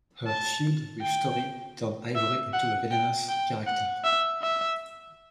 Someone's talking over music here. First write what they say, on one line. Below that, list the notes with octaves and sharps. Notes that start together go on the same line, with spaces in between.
Her feud with Tori turned Ivory into a villainous character.
A5
G5
E5
F#5
G5
G5
F#5
E5
E5